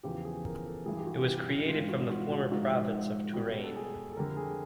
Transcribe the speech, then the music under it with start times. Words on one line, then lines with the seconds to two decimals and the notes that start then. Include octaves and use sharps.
It was created from the former province of Touraine.
0.03 E2 C#3 F3 G4
0.25 G#4
0.45 A#4
0.66 A4
0.86 G2 E3 G3 G#4
0.97 G4
1.07 F#4
1.28 G4
1.49 F#4
1.68 G#2 E3 G3 F4
1.89 F#4
2.06 F4
2.10 F#4
2.31 F#4
2.52 G#2 F3 F#4
3.34 B2 G3 F#4
3.64 A4
3.76 G#4
4.12 A4
4.17 F2 D3 G3 A#4
4.37 G#4